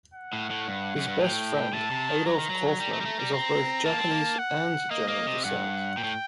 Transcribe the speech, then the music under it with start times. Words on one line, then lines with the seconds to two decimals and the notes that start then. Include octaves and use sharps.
His best friend Adolf Kaufmann is of both Japanese and German descent.
0.14 F#5
0.33 A2
0.50 A2
0.68 G2
0.96 F#2
1.08 G2
1.20 A2 G5
1.73 A2 A5
1.91 C3
2.09 D#3
2.26 F#3 A#5
2.39 D#3
2.50 F#3
2.80 G3
2.93 A3
3.01 G3
3.05 A3
3.20 G3
3.33 C4 A#5
3.85 A#3 A5
3.98 C4
4.11 A#3
4.39 F#5
4.90 A#3 D#5
5.08 A#3
5.27 C3
5.44 G2 F#5
5.97 A#2 G5
6.04 A2